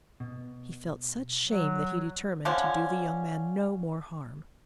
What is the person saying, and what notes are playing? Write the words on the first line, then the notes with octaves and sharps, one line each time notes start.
He felt such shame that he determined to do the young man no more harm.
B2
F#3
D3 F3 C#4